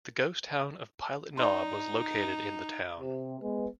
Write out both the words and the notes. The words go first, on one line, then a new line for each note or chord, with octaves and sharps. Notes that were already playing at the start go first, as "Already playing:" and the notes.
The ghost town of Pilot Knob was located in the town.
D#4 D5 C6
C3
G#3 B3